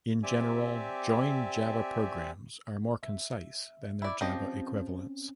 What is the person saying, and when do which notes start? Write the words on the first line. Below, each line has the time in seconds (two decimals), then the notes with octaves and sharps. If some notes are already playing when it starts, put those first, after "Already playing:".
In general, Join Java programs are more concise than their Java equivalents.
0.23 C4 G4 D5 E5 G#5
3.03 E5
4.02 E4 D5
4.21 F3 C4 C#4 G4 D#5